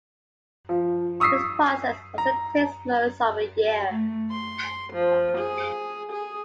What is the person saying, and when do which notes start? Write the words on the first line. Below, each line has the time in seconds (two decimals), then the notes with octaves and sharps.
This process also takes most of a year.
0.69 F3
1.20 C#6 D#6 E6 B6 C7
2.18 A#5
3.90 A3
4.30 C6
4.92 F3
5.37 G#4
6.12 G#4